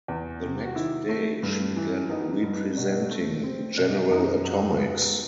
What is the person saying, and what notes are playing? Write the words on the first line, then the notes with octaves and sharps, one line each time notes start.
The next day, she began representing General Atomics.
E2
C3
F#4
D#3 E4
A3
G2
E3
B3 D#4
G2
B2
A3
C4
B2
F#2 D#4
F#3
B3